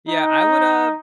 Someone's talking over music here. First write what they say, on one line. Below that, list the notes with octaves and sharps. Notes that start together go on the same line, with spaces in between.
Yeah, I would, uh,
D#4